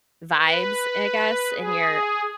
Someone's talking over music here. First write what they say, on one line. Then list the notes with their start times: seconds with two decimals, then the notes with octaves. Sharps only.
vibes, I guess, in your
0.35 B4
1.52 G#4